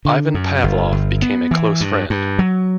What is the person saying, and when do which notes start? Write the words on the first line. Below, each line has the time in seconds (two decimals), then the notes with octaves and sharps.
Ivan Pavlov became a close friend.
0.05 D3
0.34 F#2
0.64 G1
0.92 G1
1.22 B3
1.51 E3
1.81 G2
2.10 G2
2.39 F#3